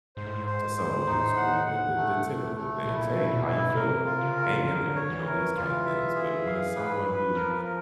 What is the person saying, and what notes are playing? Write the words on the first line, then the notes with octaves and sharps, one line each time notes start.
to someone who's grieving, the the typical things. "Hey, how ya feeling? Hang in there." You know, these kinda things. But when it's someone who,
G#2 C5
A2
G#2
C5
C5
A2 D#4
F#5
F#5
A3
A3
A3
A#2 E4
E4
B2
E4
C#3
C3 A#4
F4
C#3
A#4
D3 A#4
C#5
E3
A#4
E3 F4
E5
G#4
F5
B4
B4
F3 A#4
A#4